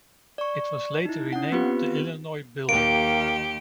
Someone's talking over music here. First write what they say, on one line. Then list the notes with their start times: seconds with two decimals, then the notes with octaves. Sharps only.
It was later renamed the Illinois Building.
0.38 D5 C#6
1.05 D#4 E4
1.33 C#4 F#5
1.52 B3 C4 F4 G4 B4
2.69 D#2 A#3 G4 D7